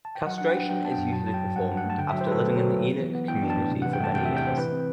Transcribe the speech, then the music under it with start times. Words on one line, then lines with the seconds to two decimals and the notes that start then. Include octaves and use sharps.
Castration is usually performed after living in the eunuch community for many years.
0.05 A5
0.15 G5
0.27 F#3 F#5
0.38 D4 F#5
0.48 G5
0.55 D4
0.69 D4 G5
0.84 B3 A5
0.91 G5
0.98 F#2
1.12 F#3 A5
1.27 F#3 A5
1.34 G5
1.42 G2
1.56 G2 F#5
1.70 G2
1.77 F#5
1.84 A3
1.90 A5
1.99 D3 G5
2.10 F#3 E5
2.21 C5
2.27 F#3 A4 B4
2.42 A3
2.56 F#3
2.71 F#3
2.85 B3
2.99 E3
3.14 B3
3.28 E3 G5
3.43 D4
3.50 A5
3.57 A2
3.72 C3
3.82 E3 F#5
3.93 G5
4.00 A3 A5
4.15 C3 G5
4.25 C3 E5
4.37 G5
4.44 C3 C5
4.58 E3 B4
4.72 C4